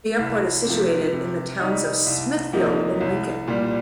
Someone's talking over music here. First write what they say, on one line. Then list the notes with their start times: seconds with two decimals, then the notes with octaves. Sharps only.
The airport is situated in the towns of Smithfield and Lincoln.
0.19 C2
0.65 C3 F3
1.12 C3
1.59 G3 D#4
2.06 C2
2.53 C3 F3 A#3 D#4
3.01 C2
3.48 A#2 G3